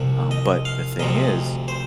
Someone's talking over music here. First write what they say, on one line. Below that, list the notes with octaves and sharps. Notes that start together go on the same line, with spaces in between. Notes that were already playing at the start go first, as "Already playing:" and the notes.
Um, but the thing is,
Already playing: C2 C3 F3
D#5
F5
D2 C3 F3 D#5
C5